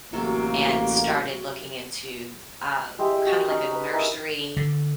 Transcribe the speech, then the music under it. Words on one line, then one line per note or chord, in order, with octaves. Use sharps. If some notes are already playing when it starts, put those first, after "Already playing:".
and started looking into, uh, kind of like a nursery,
A1 C3 F#3 A#3 F#4 A4
G#3 E4 G4
D#5
F#4 G#4
C#4 D#4
B4 A#5
D#4 E4 A#4 G#5
D3